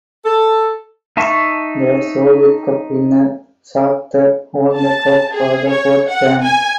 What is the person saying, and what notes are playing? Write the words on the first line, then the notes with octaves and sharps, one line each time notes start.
The Soviet Cup winner Shakhter won the cup for the fourth time.
A4
D#4 E5 A5 C#6
A5
G#4
C#5
F#5
G#5